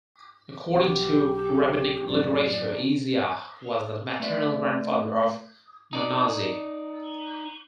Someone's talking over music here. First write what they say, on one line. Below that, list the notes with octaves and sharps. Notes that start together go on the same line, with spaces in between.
According to rabbinic literature, Isaiah was the maternal grandfather of Manasseh.
B1 B3 G4
A#1 F#2 A2 D5
A3 B4 D5 E5
D#4 D5